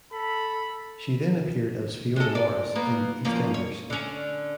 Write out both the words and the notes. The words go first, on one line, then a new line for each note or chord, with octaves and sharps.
She then appeared as Fiona Morris in "EastEnders".
A4 B5
G#3 A4
D5
A#3 B3
F3 A#3 C#4
C#5
D3 C#4